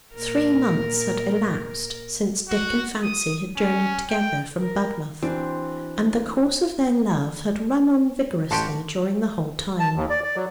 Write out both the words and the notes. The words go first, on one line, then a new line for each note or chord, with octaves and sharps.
Three months had elapsed since Dick and Fancy had journeyed together from Budmouth, and the course of their love had run on vigorously during the whole time.
A#2 A#4
F#4
D#6
C#4
G5
A#4
E3 C4 D4 F#4
A1 F#4 G4 A5 C6
A5
D#2
D5
D5
F#3